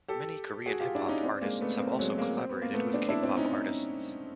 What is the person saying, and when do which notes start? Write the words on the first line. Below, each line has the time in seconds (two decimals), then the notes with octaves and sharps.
Many Korean hip hop artists have also collaborated with K-pop artists.
0.08 G4 A4
0.66 F#4 G#4
0.80 F4 G4
0.95 D4 E4
1.09 C#4 D#4
1.23 C4 D4
1.42 G#3 A#3
1.61 A3 B3
1.80 A#3 C4
1.92 A3
1.99 F#3 G#3
2.18 G#3 A#3
2.37 C4
2.49 B3
2.62 A#3
2.74 A3 B3
2.94 C4 D4
3.09 D4 E4
3.23 C4 D4
3.37 C#4 D#4